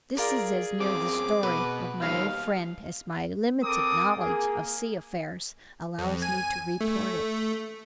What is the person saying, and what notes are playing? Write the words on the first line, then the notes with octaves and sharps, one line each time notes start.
This is as near the story of my old friend as my limited knowledge of sea affairs allows me to report it.
F4 G#4 A#4 D5
F#2 C4 D6
B2 B4
D#2 F#3 G3 D#4 F5
C4 A4 A#4 D6 D#6
A#3 G#4
F2
G#5
A3